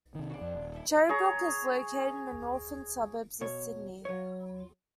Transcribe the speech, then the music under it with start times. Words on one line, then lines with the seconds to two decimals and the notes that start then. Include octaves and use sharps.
Cherrybrook is located in the Northern Suburbs of Sydney.
0.15 C3 D#3
0.30 D4 F4 F#4
0.41 F2
0.55 D#1
0.72 E4 A4
1.09 G#4 C#5 A#5
3.41 B2 C#5
4.05 F#3 C#5